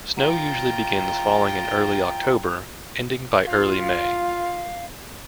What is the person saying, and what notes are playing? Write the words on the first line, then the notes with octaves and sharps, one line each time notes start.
Snow usually begins falling in early October, ending by early May.
F4 G5 A#5
F4 F5